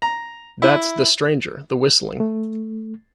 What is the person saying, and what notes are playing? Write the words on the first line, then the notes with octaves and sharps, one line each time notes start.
That's 'The Stranger,' the whistling.
A#5
E4
A3